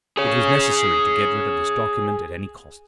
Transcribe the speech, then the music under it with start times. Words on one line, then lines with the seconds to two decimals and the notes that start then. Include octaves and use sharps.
It was necessary to get rid of this document at any cost.
0.17 G#4 C#5